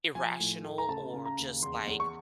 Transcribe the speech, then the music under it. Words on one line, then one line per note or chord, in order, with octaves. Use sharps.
irrational or just like
F3 G#5
A2
A3
A#5
C#3 A5
C#3
A#5
D#2
E2 C6
E2
C#6